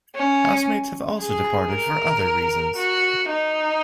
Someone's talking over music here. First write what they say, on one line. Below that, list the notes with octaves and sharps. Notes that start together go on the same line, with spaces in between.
Housemates have also departed for other reasons.
C#4
G#4
A#4
F#4
D#4